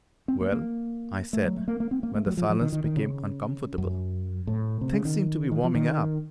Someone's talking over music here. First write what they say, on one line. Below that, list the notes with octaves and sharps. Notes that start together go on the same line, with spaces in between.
"Well," I said, when the silence became uncomfortable, "things seem to be warming up."
C4
A#3
A#3
A3
F#3
A3
A#3
A#3
C4
A#3
A3
F#3
F3
F3
D#3
D#3
D#3
C#3
F#2
A2
C3
C#3
D#3
D#3
F3
D#3